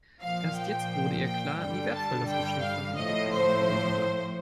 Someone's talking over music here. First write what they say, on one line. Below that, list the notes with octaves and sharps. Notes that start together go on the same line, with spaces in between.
Erst jetzt wurde ihr klar, wie wertvoll das Geschenk von Henrik eigentlich gewesen war.
A#2 F3 F5
G5
G5
G2 D3 G3 G5
A5
G5
F5
A2 F3 D#5
C5